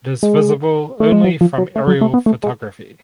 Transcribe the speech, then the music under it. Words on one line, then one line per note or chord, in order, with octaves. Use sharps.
It is visible only from aerial photography.
G#3
A3
G#3
F#3
F3
F#3
A3
F#3
A3
B3
A3
G#3